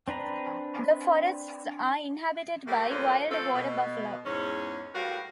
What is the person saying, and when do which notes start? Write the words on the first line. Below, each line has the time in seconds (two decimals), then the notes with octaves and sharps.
The forests are inhabited by wild Water Buffalo.
0.08 C4 D4 B4 A#5
2.67 D2 G3 A3 A#3
2.90 F2 D3 A#3 C#4 B4 C5
3.31 D3 F3 A3 C4 F4 A4
3.54 B2
4.25 E2 G#2 C#4
4.94 A2 G3 F#4 A#4 B4 F5